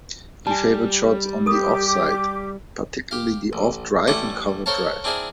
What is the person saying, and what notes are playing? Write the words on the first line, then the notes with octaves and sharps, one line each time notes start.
He favoured shots on the off side, particularly the off drive and cover drive.
G3 G#5 A5
G4 A4 A#4 D6 D#6
G4 F5
A1
A1 G3 A3 E4 F#5 D6
A4 A#4 C5 C#5 F5 A5
C4 D4 E4 G#4 A#4 C5